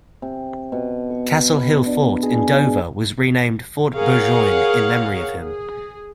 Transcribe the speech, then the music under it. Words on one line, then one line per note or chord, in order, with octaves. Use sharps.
Castle Hill Fort in Dover was renamed Fort Burgoyne in memory of him.
C3
B2
C#6
B5
D4
G#4
G#4 A#4 C#5 F5 F#5
G#4